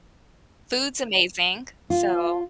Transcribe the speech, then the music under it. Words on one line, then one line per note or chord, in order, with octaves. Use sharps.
Food's amazing, so
F4